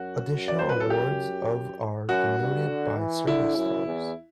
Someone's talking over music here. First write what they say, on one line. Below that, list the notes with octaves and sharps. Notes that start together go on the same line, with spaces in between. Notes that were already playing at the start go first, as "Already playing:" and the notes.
Additional awards of are denoted by service stars.
Already playing: F#2 F#4
F#2
D5
C5
B4
A4
G4
F#2 F#4
G2
D3
E3
D3 E4
F#2
E2